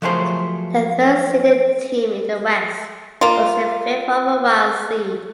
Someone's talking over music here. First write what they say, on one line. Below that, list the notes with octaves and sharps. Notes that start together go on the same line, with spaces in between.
The third seeded team in the West was the fifth overall seed.
F3 F#3 A3 G#4 A#4 C5
A#3 F4